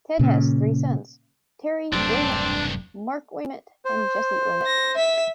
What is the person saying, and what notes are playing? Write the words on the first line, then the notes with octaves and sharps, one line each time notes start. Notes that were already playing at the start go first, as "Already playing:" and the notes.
Ted has three sons: Terry Ouimet, Mark Ouimet and Jesse Ouimet.
A#2 C#3
E1 C2 G2 F#3 A3 C4 D4
C5
A#6
E5 B6